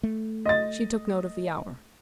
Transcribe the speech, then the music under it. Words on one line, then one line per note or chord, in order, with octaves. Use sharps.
She took note of the hour.
A3
D#5 A6